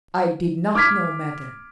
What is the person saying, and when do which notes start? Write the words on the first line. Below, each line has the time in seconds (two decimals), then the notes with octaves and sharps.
I did not know, madam.
0.75 D6 F6 G#6 B6